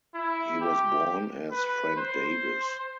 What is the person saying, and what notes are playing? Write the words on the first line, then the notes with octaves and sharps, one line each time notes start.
He was born as Frank Davis.
E4
G4
B4
C5